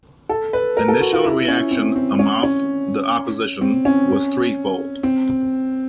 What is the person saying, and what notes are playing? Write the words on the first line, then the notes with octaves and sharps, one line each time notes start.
Initial reaction amongst the opposition was three-fold.
A4
B4
A#4
A4
F#4
F4
E4
C#4
C4
C4
C#4
C#4
C4
C#4
C4